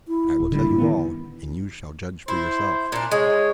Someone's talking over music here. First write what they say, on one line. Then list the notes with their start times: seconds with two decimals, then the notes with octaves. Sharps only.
But I will tell you all and you shall judge for yourself.
0.08 E4
0.40 D1
0.52 D3 E3 G3 E4
0.66 A1 G#2
0.78 D#3 B3
2.28 E4 C5
2.92 A#2 D4
3.11 G#3 C#5